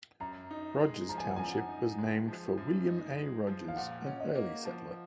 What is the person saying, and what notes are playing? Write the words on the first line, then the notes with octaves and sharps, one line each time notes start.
Rogers Township was named for William A. Rogers, an early settler.
F#2 A#5
D#4
G#3
F3 A#5
G#5
F#5
F#2 G#5
D#4
G#3
F3
F#2
D#4
G#3
F3
F5
A#2 F#5
C#4
D#5
A#3
F3